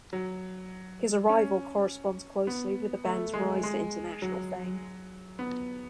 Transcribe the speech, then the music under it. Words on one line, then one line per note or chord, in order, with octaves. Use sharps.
His arrival corresponds closely with the band's rise to international fame.
F#3
C#4
B3
A3
G#3
G#3
F#3
B3